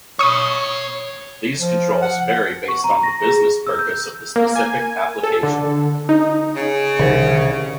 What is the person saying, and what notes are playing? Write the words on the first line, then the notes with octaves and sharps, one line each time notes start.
These controls vary based on the business purpose of the specific application.
C#5 B5 C#6 D#6
F3
F#5
C#6
A#5
A#6
G#4
E6
G6
A#3
G#5
A4
D3
D#4
C#3
C2 D3 D#3